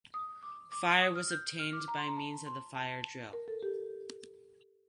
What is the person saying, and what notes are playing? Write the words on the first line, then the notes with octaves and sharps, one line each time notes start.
Fire was obtained by means of the fire-drill.
D#6
D6
D6
D#6
F6
G6
F6
D6
A#5
C6
A#5
A5
C6
A5
A#4
A4
G4